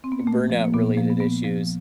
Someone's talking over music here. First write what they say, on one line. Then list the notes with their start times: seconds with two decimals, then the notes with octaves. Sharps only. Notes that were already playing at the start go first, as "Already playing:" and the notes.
burnout related issue,
0.04 C4
0.12 B3
0.20 A#3
0.27 A#2 A3
0.50 F3
0.64 A#3
0.74 A#2 B3
0.86 B3
0.97 F3 A#3
1.10 B3
1.20 A#2 B3
1.44 F3